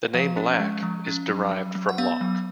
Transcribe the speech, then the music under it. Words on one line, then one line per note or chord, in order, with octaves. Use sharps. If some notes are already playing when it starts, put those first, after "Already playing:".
The name 'Lack' is derived from 'Lock'.
F3 F5
C#4
G#3
F3
C#4
F#3
F#3
F#3
F#5
B3 F5
F#3